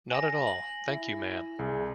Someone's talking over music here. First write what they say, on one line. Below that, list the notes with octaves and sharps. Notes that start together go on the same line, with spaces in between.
Not at all, thank you, ma'am.
G#5 A#6
F#7
E4
C2 G#4